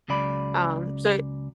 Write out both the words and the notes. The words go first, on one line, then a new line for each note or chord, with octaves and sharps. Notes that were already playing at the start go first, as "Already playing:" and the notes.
um, so
C#2 C#3 F#3 D5 B5